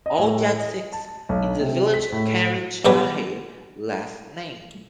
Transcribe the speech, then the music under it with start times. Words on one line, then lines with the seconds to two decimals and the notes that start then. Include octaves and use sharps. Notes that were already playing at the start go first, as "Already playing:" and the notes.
All Jatt Sikhs in the village carry shahi last name.
0.06 D#5
0.19 A2
0.60 D#5
0.93 A5
1.29 B1
1.61 C3
1.94 B6
2.12 A2
2.85 G2 B2 F#3 G4 B4